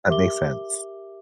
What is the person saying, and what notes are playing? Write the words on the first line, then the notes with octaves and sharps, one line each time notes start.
That makes sense.
G4 A#4 E5 D6 G7